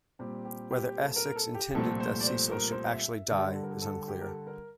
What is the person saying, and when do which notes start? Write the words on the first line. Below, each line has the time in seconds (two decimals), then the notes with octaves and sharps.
Whether Essex intended that Cecil should actually die is unclear.
0.19 A#2 G3 C4 G4
0.45 G4
0.71 G4
0.97 A4
1.16 A#4
1.36 A4
1.54 G4
1.74 C2 A#2 F3 A3 C4 A4
2.00 C5
2.21 D5
2.26 C5
2.52 A#4
2.71 C5
2.91 E5
3.10 E5
3.30 G2 D3 G3 D4 D5
3.55 A4
3.63 A#4
3.71 A4
3.82 A4
4.08 G4
4.21 A#4
4.27 A4
4.47 A#4